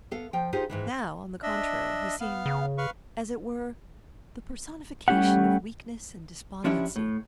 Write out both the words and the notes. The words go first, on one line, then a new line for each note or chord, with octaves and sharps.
Now, on the contrary, he seemed, as it were, the personification of weakness and despondency.
B3 A4 F5
F3 G5
D#4 F4 G4 G#4 C5
G#2 D#3 E3
D4 D#5 E5
B3 F5
C#3
B4 F5 C#6
G3 A3 C#4 G4 E5 F#5
F3 C#4 D4 E4 G4
A2